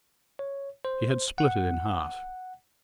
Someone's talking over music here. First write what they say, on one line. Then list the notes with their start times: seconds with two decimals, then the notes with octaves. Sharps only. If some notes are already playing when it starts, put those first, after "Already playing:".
He had split it in half.
0.39 C#5
0.85 C5
1.38 F#5